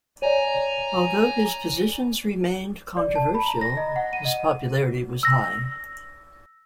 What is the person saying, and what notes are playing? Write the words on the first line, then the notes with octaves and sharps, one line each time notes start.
Although his positions remained controversial, his popularity was high.
C#5 D5 G#5 A#5
D5
A5
B5
A#5
A#6
D#5
F#5
D#7
D#5
E6 A#6